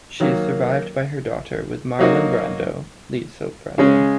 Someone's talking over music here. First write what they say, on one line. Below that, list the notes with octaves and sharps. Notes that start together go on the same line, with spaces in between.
She is survived by her daughter with Marlon Brando, Lisa Brando.
D#3 F#3 A#3
F#3 A#3 D#4 F#4
C#3 G#3 C#4